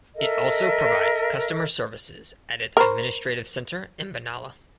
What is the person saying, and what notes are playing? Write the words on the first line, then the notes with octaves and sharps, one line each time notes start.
It also provides customer services at its administrative centre in Benalla.
A4 A#4 D#5 E5
A#4 C5 A#5 B5 C#6